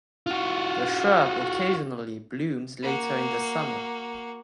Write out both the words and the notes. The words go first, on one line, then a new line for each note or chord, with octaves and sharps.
The shrub occasionally blooms later in the summer.
F4 F#4
A#3 F#4